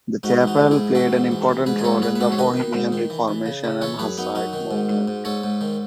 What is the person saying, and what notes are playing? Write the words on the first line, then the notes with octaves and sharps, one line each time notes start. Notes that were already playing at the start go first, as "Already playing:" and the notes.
The chapel played an important role in the Bohemian Reformation and Hussite movement.
G#2 D#4 F#4
E3
D#4 F#4
G#2
E4 G#4
G#2
E3 F#4 A4
G#2
E3
E3
G#2 G#4 B4
D#5
G#2 A4 C#5
G#2 G#4 B4
B4
G#2 F#4 A4
C#5
D#3 B4 D#5
D#3
G#2
D#3
E3
E3
C#3
C#3
E3 A4 C#5
F#2 G#4 B4
F#2 B3 D#4
F#2 D#4 F#4
D#3
G#2
G#2
G#2
G#2 A4 C#5
G#2
D#3